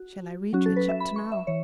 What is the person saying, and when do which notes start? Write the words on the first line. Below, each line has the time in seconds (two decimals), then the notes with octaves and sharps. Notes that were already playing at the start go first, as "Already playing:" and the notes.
'Shall I read you a chapter, now?'
Already playing: F#4
0.53 F#3 C#4 F#4
0.66 A4
0.76 B4
0.88 E5
1.00 B5
1.16 C#6
1.32 E5
1.47 E3 C#5